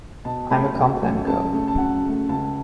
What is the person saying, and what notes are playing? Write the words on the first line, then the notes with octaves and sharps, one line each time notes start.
I'm a Complan Girl!
B2 A5
A3 C#4 B5
B2
A3 C#4
F#2 A5
C#3 A3
A5
F#2 F#5
C#3 A3
C#2 A5